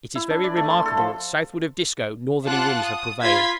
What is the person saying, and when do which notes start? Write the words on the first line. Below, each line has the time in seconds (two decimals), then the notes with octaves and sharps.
It is very remarkable that southward of Disco northerly winds have prevailed.
0.15 E4
0.30 D4
0.44 D5
0.57 A3
0.70 C6
0.86 A4
0.97 F3
2.46 F4 F#5 A5 D6 F#6
2.81 D#6
3.21 F4 B5 G#6 B6